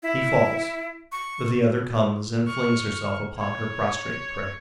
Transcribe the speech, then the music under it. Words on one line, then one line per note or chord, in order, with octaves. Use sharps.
He falls; the other comes and flings herself upon her prostrate prey.
E4
C#6
C#6 F6
C#5